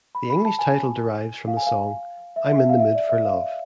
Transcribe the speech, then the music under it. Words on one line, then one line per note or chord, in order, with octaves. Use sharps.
The English title derives from the song, "I'm in the Mood for Love".
B5
B5
A5
G#5
F5
G#5
F5
E5
E5
E5
F5
E5
D5
E5
F5